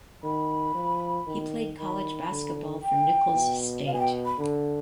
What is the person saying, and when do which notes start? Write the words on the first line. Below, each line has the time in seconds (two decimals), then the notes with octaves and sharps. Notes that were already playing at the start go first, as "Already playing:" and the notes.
He played college basketball for Nicholls State.
0.23 D#3 B5
0.74 F3
1.27 D#3
1.78 D#3 B5
2.31 D3
2.82 G5
3.34 B2
3.86 B2 F5
3.93 G#5
4.00 G5
4.25 B5
4.38 D3